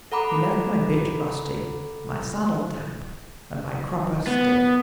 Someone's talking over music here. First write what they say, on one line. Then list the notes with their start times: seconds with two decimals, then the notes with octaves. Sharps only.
He left my bit rusty, my saddle damp, and my crupper stiff.
0.12 A4 F#5 A#5 B5 D6
4.27 B3